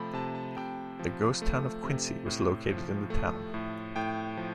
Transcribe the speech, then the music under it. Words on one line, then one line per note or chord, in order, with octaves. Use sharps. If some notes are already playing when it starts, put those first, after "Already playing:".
The ghost town of Quincy was located in the town.
Already playing: C3 F3 A3 B5
C3 A5
A5
C3 G5
F3
A3
C3
A2
F3
A3
A2
A2 G5
F3